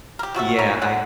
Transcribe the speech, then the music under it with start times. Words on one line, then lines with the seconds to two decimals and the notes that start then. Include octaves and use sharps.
Yeah, I
0.19 G4 A#4
0.35 C3 F#4 A4 E5
0.59 E4 A#4 C#5
0.82 D3 D#3 F#5